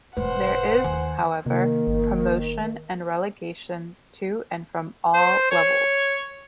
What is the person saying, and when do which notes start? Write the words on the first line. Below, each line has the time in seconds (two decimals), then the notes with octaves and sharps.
There is, however, promotion and relegation to and from all levels.
0.17 E1 G#2 B4 C5 F#5
0.84 D#2 D#3 G#5
1.46 C3 D#3 A#3
1.87 G1
5.14 C5
5.51 C#5